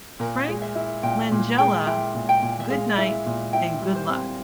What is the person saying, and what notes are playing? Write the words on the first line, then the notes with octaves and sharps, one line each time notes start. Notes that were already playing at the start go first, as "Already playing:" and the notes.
Frank Langella - Good Night, and Good Luck.
A#2 A#4
C#5
G#3
E5
E4
A#2 G5
A#2
G#3 G5
E4 G5
A#2
G5
A#2
E5
G#3 F5
E4
A#2
E4 G5
G3
C5
C4